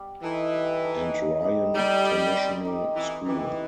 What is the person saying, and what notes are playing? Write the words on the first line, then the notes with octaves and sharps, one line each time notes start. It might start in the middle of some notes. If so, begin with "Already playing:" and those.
And Ryan International School.
Already playing: G3 B3 G4
E3 D#4 A4
G3
D#4 A4
D#4
G4 B4 D#5
G3 D#4
G4 B4 D#5
C4
D#4 G4
E3 C4
E3 D#4 G4